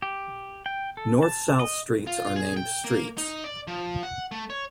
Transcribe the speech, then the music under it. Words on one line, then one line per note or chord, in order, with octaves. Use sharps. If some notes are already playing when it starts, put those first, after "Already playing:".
North-south streets are named streets.
G4
G5
A4
A5
D#5
F4
G#4
G5
A#3
D#4
D5
F3
F#5
A3
C#5